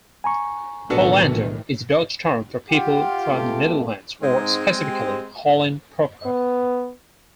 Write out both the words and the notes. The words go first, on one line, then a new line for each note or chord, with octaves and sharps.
"Hollander" is a Dutch term for people from the Netherlands, or specifically Holland proper.
G#5 A#5 C#6
B1 A2 D#3 E3 B3 D4 F#4 A4
F4 G4 F#5 G5
C#2 A3 B3
G#2 G#3 C4
G4 C5 G5
B3